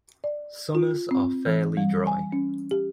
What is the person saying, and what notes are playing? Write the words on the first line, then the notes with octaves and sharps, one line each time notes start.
Summers are fairly dry.
D5
F4
C4
E3
G3
G#5
C#4
G4